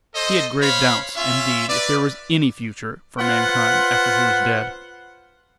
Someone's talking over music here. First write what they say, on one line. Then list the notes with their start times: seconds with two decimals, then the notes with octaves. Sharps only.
He had grave doubts, indeed, if there was any future for mankind after he was dead.
0.15 A4 C5 D#5
0.61 C5 C#5 F5 B5
1.16 C#4 F4 E5
1.69 B4 D5
3.19 F4 B4 C5 F#5